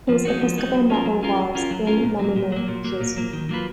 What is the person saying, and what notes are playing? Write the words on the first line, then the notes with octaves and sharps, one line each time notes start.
His episcopal motto was "In nomine Jesu".
F3
G#3 D#4 F#4
F3
G#3 D#4 F#4
F#3
C#4 F4 A#4
F#3
C#4 F4 A#4
F#3
C#4 F4 A#4
F#3
C#4 F4 A#4
A#2
F#3 A#3
A#2
F#3 A#3
A#2
F#3 A#3
A#2
F#3 A#3
D#3
F#3 A#3 F4 B4